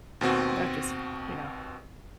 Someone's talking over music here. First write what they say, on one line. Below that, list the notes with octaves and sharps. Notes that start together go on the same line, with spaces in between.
that just, you know,
D#2 B2 C4 F#4